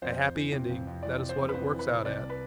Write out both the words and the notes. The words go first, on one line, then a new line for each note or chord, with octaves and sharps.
A happy ending, that is what it works out at.
F2 C5
F2
E3
C3
F2
F2
E3 D5
C3
C5
F2
B4
F2 C5
E3
B4
C3
C2 D5
B4